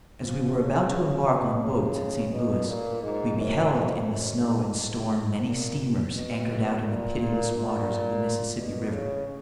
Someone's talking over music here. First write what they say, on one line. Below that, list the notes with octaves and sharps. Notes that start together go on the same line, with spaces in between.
As we were about to embark on boats at St. Louis we beheld in the snow and storm many steamers anchored out in the pitiless waters of the Mississippi River.
F3
C#3
B2
C#3
B2
A#2
G#2
F#2
F2
F#2
G#2
A#2
B2
A#2
A#2
A#2
B2
C#3